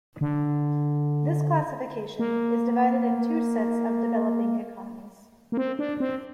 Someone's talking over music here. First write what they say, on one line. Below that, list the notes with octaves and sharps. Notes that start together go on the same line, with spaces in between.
This classification is divided in two set of developing economies.
D3
A#3
A#3
C4
D4
C4